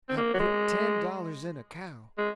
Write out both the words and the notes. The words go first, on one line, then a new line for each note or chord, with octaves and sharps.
I put ten dollars in a cow.
C4
A#3
F#3
G#3
G#3